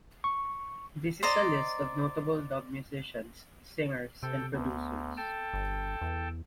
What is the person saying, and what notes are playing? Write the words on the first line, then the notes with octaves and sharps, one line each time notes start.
This is a list of notable dub musicians, singers and producers.
C#6
C5 D5 D#5 A#5
C3 A4 G5
D2 B3
A4 G5 A5
G1
E2